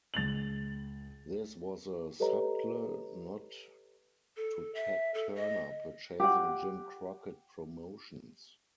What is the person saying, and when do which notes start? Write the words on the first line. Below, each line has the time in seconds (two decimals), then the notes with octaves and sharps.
This was a subtle nod to Ted Turner purchasing Jim Crockett Promotions.
0.14 C#2 A6 F7 F#7
2.20 G4 A4 B4 C#5 D#5 A#5
4.37 A4
4.75 E5
5.14 A4
5.36 D#5
6.20 G4 F#5